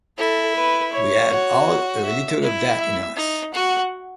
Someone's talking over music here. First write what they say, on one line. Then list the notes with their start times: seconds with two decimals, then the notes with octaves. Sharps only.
We all have a little of that in us.
0.18 E4 A4
0.55 B4
0.92 C#5
1.30 F#4
2.04 E5
2.42 E4
2.79 E5
3.16 D#4
3.53 F#4 F#5